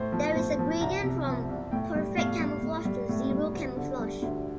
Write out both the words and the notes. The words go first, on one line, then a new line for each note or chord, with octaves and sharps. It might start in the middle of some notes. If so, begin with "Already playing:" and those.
There is a gradient from perfect camouflage to zero camouflage.
Already playing: A2 C5
F3
A2 C5
F3
C2 A#5
C3
F3
C2
A2 G5
G3
A2 F5
G3
A2
G3
A2
G3
D2
D3
G3
D2